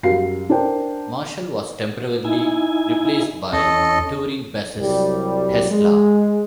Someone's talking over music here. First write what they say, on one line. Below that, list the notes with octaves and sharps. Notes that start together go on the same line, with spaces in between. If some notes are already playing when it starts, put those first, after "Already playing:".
Marshall was temporarily replaced by touring bassist Hestla.
F#2 G3 F#4 F5 C7
D4 A#4 C5 G5
D#4 E4 G#5
E2 C#4 A4 D#5
C2 F#3 G3
G#3